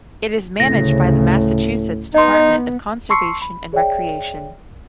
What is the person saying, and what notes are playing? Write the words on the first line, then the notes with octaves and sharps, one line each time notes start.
It is managed by the Massachusetts Department of Conservation and Recreation.
D2 A2 C#3 A#6
B3 D#4 D#5 C6
A5 C6 C#6 E6 C7 C#7
B5
G#4 C#5 D5 E5 G5